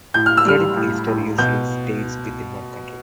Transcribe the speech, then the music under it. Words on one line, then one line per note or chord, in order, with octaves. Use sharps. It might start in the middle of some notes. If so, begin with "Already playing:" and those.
Credit history usually stays within one country.
A2 G6
F6
E6
G3 F6
A2
A2
B2 G6